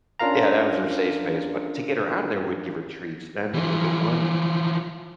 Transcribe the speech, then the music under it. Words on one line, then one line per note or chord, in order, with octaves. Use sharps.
Yeah, that was her safe space, but to get her out of there, we'd give her treats, and I remember the one
C#4 D4 F4 A#4 F5 A#5
E3 F3